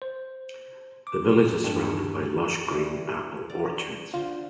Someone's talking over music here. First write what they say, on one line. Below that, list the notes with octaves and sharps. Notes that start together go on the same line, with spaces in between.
The Village is surrounded by lush green Apple orchards.
C5
D6
G2
E3 G3
D5
D3 F4 C5